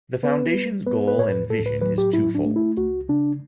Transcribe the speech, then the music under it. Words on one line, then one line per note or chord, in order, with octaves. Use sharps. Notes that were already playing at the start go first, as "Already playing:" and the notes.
The Foundation's goal and vision is two-fold.
B3 B4
G3
B3 B4
B4
A2 C#5
B4
A2 A4
B4
F#3 B4
G4
A2 E4
D4
A3
E4
C#2 F#4
C#3 D4